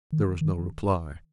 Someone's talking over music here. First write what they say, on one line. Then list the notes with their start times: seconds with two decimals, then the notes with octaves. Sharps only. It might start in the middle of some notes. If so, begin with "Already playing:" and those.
There was no reply.
0.12 D#3
0.41 D#3